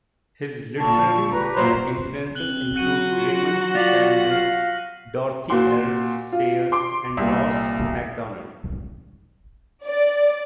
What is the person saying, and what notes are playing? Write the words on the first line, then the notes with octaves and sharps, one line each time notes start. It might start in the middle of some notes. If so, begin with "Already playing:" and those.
His literary influences include Raymond Chandler, Dorothy L. Sayers, and Ross Macdonald.
A#2 D3 A5 C#6
G4 B4 A#5
F#2 A#2 F#3 C5
C4 F#6 F#7 G7
F#3 F#4 F#6 C#7 D#7
F4
F4 D5 A#6 B6 F#7
F5
A#2 F#4 C6
F4
C6 D6
C2 A#2
D5